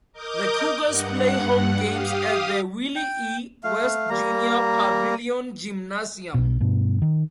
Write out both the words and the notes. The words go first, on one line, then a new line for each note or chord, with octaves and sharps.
The Cougars play home games at the Willie E. West Junior Pavillion Gymnasium.
A#4 D#5 D6 D#6 G6
G2 F#5
G4 F5 D#6
G5
A3 F5
G3 A#3 A#5
B1 B2
G2 B2
D#3